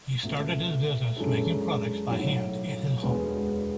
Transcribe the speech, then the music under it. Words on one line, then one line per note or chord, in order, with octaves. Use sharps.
He started his business making products by hand in his home.
C#2 B2 A3
F#2 E3 G#3 D4 A4
B1 A2 F#3
E1 D2 D3 G#3 B3